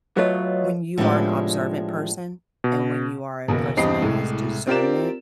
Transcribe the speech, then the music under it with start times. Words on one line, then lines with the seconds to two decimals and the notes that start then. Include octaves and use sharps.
when you are an observant person, and when you are a person that has discernment,
0.17 F#3 A3 F4 B4 C#5 D#5
0.98 A2 F3 G#3 B3 D4 G4
2.64 B2
3.48 F#1 D#2 B2
3.77 E2 G2 C4 G4 D#5 C7
4.02 C2 A2 G#3
4.67 C4 F4 G4 A#4 D5 E7